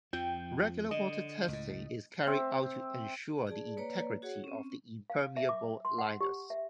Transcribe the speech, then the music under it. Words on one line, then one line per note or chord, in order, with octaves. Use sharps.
Regular water testing is carried out to ensure the integrity of the impermeable liners.
F2 F3 G5
D3 D#5
C#2 A2
C4 E5
G#4 D5 A5
A#3 B4 C#5 D5 A#5
F#4 G#4 C#5 F#5
C4 C#4
F5
E5
D6
C6
F#5
G4
E5